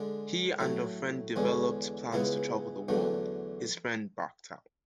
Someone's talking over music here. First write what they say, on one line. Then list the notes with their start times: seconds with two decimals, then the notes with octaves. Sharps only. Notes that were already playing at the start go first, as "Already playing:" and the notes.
He and a friend developed plans to travel the world; his friend backed out.
Already playing: D3 G#3 D4
0.60 A2 F#3 A3 E4
1.36 E2 D3 G#3 C#4
2.13 C#2 C#3 G#3 B3 E4
2.88 E2 D3 F#3 A3 D4